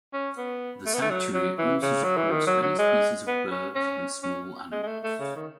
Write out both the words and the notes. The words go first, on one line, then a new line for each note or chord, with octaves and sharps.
The sanctuary also supports many species of birds and small animals.
C#4
B3
A3
B3
A3
F#3
F#3
E3
C#3
F#3
E3
D#3
F#3
F#3
G#3
B3
C#4
C#4
C#4
G#3
G#3
A3
A3
C#3
D#3